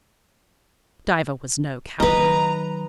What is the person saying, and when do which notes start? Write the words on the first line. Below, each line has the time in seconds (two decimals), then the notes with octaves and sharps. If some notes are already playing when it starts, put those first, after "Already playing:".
Diva was no coward.
2.00 D#3 F#3 B4 D#5 A#5